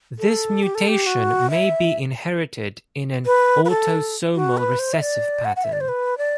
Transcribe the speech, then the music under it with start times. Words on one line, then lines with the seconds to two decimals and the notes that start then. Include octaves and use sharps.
This mutation may be inherited in an autosomal recessive pattern.
0.19 A4
0.63 G4
0.75 A4
0.88 G4
1.06 F#4
1.50 E5
3.26 B4
3.65 B4
3.70 A4
4.35 F#4
4.57 B4
4.79 C5
4.94 E5
5.01 D5
5.45 F#5
5.56 F#5
5.64 E5
5.72 D5
5.81 C5
5.89 B4
6.18 D5